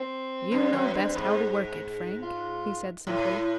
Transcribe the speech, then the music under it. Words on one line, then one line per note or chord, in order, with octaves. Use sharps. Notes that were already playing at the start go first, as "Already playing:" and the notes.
"You know best how to work it, Frank," he said simply.
Already playing: C4
G2
F#2
G2
G#2
F4
A2